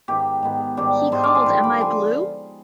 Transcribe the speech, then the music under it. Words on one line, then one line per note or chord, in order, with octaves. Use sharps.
He called Am I Blue?
G#2 D#3 B3 G4
G#2 D#3 B3
G#2 D#3 G3 D4 G4
G#2 D#3 G3 D4 C5 D#5
D5 F5
G#5 C6
G2 D3 F3 G5 B5
B5 D6
D3 F3 G#5 C6